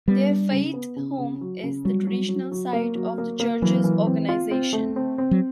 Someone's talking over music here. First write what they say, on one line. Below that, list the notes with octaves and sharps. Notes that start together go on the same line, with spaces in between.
Their Fayette home is the traditional site of the church's organization.
G3 B3
D4
C#3
B3
C#3
C#3
F#3
C#3
F#3 G3
F#3
F#3
F#3
A#3
F#3
A#3
A#3
E3 F#3
E3
C4
F4
C4
A3
C4
C4
F#3